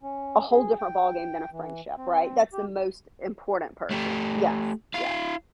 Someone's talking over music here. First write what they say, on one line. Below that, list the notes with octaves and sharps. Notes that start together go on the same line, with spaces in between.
a whole different ballgame than a friendship, right? That's the most important person. Yes. Yes.
C#4
G#4
G5
E3
C4
G4
A3 G4
E4 F5